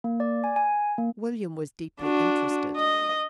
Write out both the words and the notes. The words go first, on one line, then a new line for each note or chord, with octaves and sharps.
William was deeply interested.
A#3
D5
G#5
G#5
A#3
D4 F#4
D#5